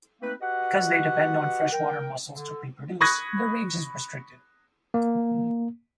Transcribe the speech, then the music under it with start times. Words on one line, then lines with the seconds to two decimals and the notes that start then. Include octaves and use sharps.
Because they depend on freshwater mussels to reproduce, their range is restricted.
0.21 A3 A#3 C4 D#4 B4
0.41 F#4 G4 B4 D#5 F#5
1.72 A#4 G5
2.35 D3
3.01 B5 C#6 D#6 F#6 G#6 A#6
4.94 A#3